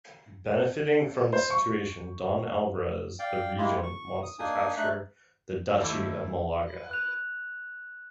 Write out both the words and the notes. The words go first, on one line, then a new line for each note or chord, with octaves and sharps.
Benefiting from the situation Don Alvarez the Regent wants to capture the Duchy of Malaga...
C5
C#6
D5 F5 G5
G#3 A#3 E4 F4 G4
C#6
D#6
A#3 D4 D#4 G#5 D#6
A3 D4 D#4 F#6
D#2 A3 E4 D6
F#6 F7